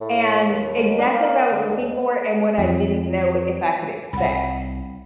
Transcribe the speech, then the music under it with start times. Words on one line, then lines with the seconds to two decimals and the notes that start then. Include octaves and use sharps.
and exactly what I was looking for, and what I didn't know if I could expect.
0.01 A2
0.49 D#2
0.99 D4
1.13 A#3
1.51 D3
1.69 D#2
2.58 F2
4.13 C2 F#5 B5